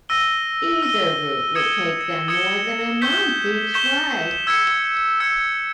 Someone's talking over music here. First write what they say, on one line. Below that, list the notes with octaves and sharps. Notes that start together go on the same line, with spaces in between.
Either route would take them more than a month each way.
E6 A#6 D#7 G7
E6 A#6 D#7 G7
D#6 G#6 C#7 E7 G7
D#6 G#6 C#7 E7 G7
C#6 G6 B6 E7 G7
C#6 G6 B6 E7 G7
E6 G#6 C#7
E6 G#6 C#7